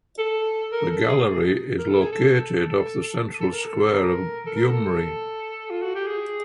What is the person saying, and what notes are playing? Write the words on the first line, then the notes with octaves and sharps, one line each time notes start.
The Gallery is located off the central square of Gyumri.
A4
A#4
A4
G#4
A#4
A4
G#4
A4
A4
A4
A#4
A4
A#4
A4
A#4
A4
F4
F#4
G4
G#4